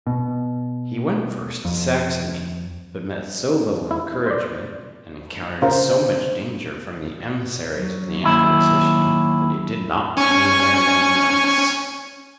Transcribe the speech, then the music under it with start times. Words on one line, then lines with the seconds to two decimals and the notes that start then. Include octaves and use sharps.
He went first to Saxony; but met so little encouragement, and encountered so much danger from the emissaries of the Inquisition, that he did not remain there many months.
0.07 B2
1.65 F2
3.91 E4
4.26 C5 D5
5.62 C#3 F4 A#4 C5
7.74 F#3
8.23 D#2 E4
10.17 C#4 G#5 C#6